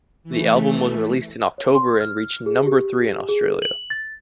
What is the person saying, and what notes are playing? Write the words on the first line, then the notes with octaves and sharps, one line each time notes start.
The album was released in October and reached number three in Australia.
E3 A3
C#5
C6
F6
G#4
G4
G#4
F#7
A6